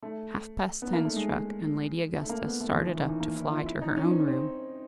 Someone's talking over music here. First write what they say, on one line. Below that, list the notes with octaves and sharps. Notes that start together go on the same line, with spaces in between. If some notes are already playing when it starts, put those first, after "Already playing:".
Half-past ten struck, and Lady Augusta started up to fly to her own room.
A3
B3
A#3
A3
G#3
A3
A#3
B3
A3
E3
F3
E3
D#3
E3
A#3
E4
F4
E4
D#4
C#4
C4
C#4
C4